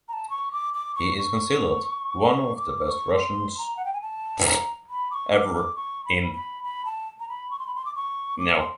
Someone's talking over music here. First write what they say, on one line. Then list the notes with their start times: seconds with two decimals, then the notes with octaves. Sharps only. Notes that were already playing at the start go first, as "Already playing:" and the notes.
He is considered one of the best Russians ever in each of those sports.
0.08 A#5
0.13 A5
0.30 C#6
0.52 D6
0.74 D6
0.95 C#6
1.17 C#6
2.27 C#6
2.57 D6
2.85 D6
2.89 C#6
3.15 C6
3.58 A#5
3.77 F#5
3.85 G5
3.93 G#5
4.02 A5
4.45 A#5
4.90 B5
5.11 D6
5.14 C#6
5.33 D6
5.55 D6
5.76 C#6
6.05 B5
6.35 B5
6.64 B5
6.85 A5
7.20 A#5
7.29 B5
7.51 C#6
7.59 C6
7.67 B5
7.75 C6
7.85 D6
7.95 C#6
8.39 D6
8.59 C6